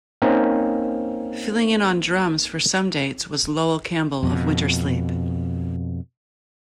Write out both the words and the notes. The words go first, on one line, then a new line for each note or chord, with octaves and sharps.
Filling in on drums for some dates was Loel Campbell of Wintersleep.
A#3 C4 C#4 D#4
F2 B2